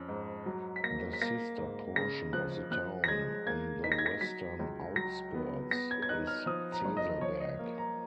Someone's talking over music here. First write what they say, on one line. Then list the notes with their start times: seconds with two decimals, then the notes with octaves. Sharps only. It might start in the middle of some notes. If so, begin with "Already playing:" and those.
The sister portion of the town on the western outskirts is Zeselberg.
Already playing: F2 C#4
0.09 G#2
0.46 F#3
0.76 B6
0.83 A#3 A#6
1.13 B6
1.22 A#3 A#6
1.58 G#2
1.96 C#3 A#6
2.33 F3 F#6
2.71 F3 F#6
3.04 A#6
3.08 G#3 G#6
3.46 A#3 G#6
3.84 D#4 B6
3.92 A#6
3.99 G#6
4.06 A#6
4.21 F#3 B6
4.59 C#2
4.96 F#3 A#6
5.34 B3
5.71 B3 A#6
5.91 G#6
6.02 G#6
6.09 D#4 F#6
6.27 F6
6.46 F3 D#6
6.72 A#5
6.85 F#1
6.97 D#5
7.10 D#5
7.21 F3 C#5
7.40 D#5
7.59 A#3
7.78 A#5